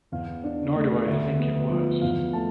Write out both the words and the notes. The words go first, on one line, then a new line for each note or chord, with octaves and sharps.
Nor do I think it was.
E2 F5
D4
A3
D2 E5
B3
F3
E2 F5
A3 A5